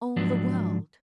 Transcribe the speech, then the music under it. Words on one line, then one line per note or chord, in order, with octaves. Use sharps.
All the world!
G#2 F3 F#3 D4